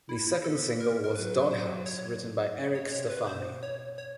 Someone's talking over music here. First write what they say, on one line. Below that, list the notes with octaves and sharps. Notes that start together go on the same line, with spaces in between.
The second single was "Doghouse", written by Eric Stefani.
E4
E4
B3 A4
A#4
A#4
F#3 B4
C5
C#5
C#3
C#5
C3 C#5
B4
B2 C5
C#5
C#5